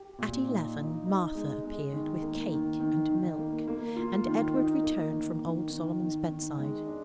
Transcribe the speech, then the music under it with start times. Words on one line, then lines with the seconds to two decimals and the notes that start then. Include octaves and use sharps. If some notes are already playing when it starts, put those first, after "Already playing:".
At eleven Martha appeared with cake and milk, and Edward returned from old Solomon's bedside.
Already playing: G4
0.18 A#2
0.47 D#4
0.77 D#4
1.05 D#4
1.35 G#3
1.64 G#3
1.93 D#3
2.22 A#3
2.52 D#3
2.80 D#3
3.10 D#3
3.39 A#3
3.68 A#3
3.96 F4
4.26 D#3
4.55 D#4
4.83 A#3
5.12 D#3
5.41 D#3
5.70 D#3
6.00 D#3
6.29 D#3
6.57 G#3
6.87 D4